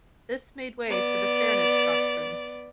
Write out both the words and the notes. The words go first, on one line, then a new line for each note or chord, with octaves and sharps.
This made way for the Fairness Doctrine.
B3 D5